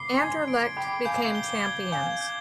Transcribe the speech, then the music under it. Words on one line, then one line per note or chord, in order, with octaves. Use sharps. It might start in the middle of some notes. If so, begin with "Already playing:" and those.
Anderlecht became champions.
Already playing: B5 D6 C7 G7
G#5 C6 G#6
D7
G5 B5 D6
F5 G#5 G6
G7
G#6
F5 G#5 G6
G6